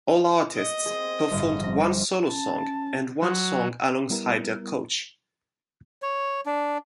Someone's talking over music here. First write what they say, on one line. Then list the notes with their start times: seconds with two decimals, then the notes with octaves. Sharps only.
All artists performed one solo song and one song alongside their coach.
0.56 D#5
0.86 C4 G#4
1.30 G1 A2
1.61 F3 A#6
2.29 C#4 A5
3.23 F#3
4.10 G3 B3 E4 A#4
6.02 C#5
6.46 D4